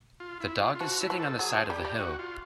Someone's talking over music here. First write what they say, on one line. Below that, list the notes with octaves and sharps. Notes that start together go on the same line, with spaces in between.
The dog is sitting on the side of the hill.
F4
E4
F4
F4
F3 F#4
E4
F3
A4
F#3 G#4
F3
G3 G4
G3
F#4
F4